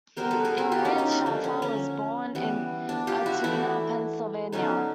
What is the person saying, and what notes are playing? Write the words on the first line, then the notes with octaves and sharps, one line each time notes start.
Elaine Shaffer was born in Altoona, Pennsylvania.
B2 G3 B3 A#4 C5
A4 B4
G#4 A#4
F#4 G#4
F4 G4
C#4 D#4
C#4 D#4
D4
D3 F3 A#3
C#4
C#4
E3 G3 B3
D4
F4 G4
E4 F#4
E3 A3 D4 E4
D3 F#3 B3 C#4 D#4